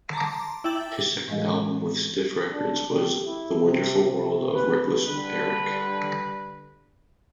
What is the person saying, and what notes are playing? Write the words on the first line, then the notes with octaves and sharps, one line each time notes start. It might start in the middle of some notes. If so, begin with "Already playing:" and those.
His second album with Stiff Records was "The Wonderful World of Wreckless Eric".
A5 A#5 C6 D6
E4 E5 G5 D6 A6 F#7
A2 E3 G#3 D#5 F5
D4
G4
E4
C3
C3
B4
D3 G3 B4